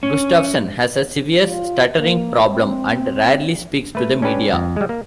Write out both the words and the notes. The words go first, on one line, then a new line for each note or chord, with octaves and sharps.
Gustafson has a severe stuttering problem and rarely speaks to the media.
C#4
F4
A#3
C4
A3 B4
C#4 D4 G4 B4
F2
G3 G#3
A#3